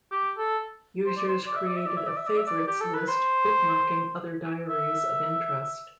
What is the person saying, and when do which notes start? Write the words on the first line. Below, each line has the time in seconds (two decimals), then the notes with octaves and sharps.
Users created a "favorites" list bookmarking other diaries of interest.
0.11 G4
0.38 A4
1.06 C5
1.17 D5
1.28 C5
1.46 D5
1.56 E5
1.67 D5
1.76 E5
1.86 D5
1.96 E5
2.07 D5
2.17 E5
2.26 D5
2.37 E5
2.46 D5
2.67 G4
2.80 A4
2.94 B4
3.08 C5
4.69 E5